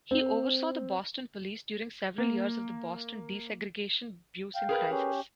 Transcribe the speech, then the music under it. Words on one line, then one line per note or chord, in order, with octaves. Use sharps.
He oversaw the Boston police during several years of the Boston desegregation busing crisis.
C4
A#3
F5 G5
G#4 A#4 B4
C#4 G4